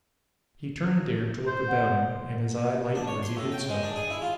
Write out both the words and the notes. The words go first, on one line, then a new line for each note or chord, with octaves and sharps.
He turned here, to look about him, and his eye lightened as he did so.
C5
F#5
D4
C#5
C6
A2
G5
G#3
D4
G#4
E4
F4